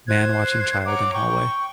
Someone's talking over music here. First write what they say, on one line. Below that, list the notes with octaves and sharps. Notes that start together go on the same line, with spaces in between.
Man watching child in hallway.
C5 F#6 G#6
C#5 F#5 A#5 D6
G5 C#6